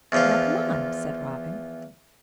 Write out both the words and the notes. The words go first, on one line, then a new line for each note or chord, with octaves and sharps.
"Now, come on," said Robin.
E2 F3 F4